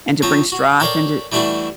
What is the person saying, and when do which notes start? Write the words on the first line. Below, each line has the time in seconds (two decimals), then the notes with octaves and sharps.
and to bring strife into
0.22 F3 C4 C#5 A5 A#5
0.52 F#4
0.80 A4 A#4 C#5 D5 F5 G5
1.32 E3 G3 A3 D4 E4 F#4